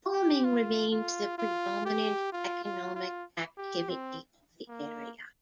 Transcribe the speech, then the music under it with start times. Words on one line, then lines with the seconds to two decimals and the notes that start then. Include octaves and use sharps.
Farming remains the predominant economic activity of the area.
0.13 G4
0.44 F4
0.92 F4
1.38 F4
1.85 G4
2.32 F4
2.64 F4
2.95 F4
3.58 G4
3.89 C4
4.68 A#3